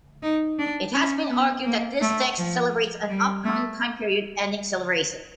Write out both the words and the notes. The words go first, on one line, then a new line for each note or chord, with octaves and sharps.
It has been argued that this text celebrates an upcoming time period ending celebration.
D#4
D4
C#4
B3
A#3
A3
F3
G3
A3